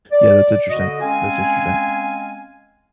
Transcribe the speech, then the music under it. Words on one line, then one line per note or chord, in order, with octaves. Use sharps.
Yeah, that's interesting. That's interesting.
D5
D3 F#4 D#5
G#3 C4 C#4 F5 G#5